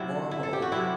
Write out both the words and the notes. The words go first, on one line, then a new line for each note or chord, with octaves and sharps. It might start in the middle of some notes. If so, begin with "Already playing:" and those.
Mor ho!
Already playing: C3 F#3 C4 E4
E4
A4
G4
F#4
C3 F#3 C4 E4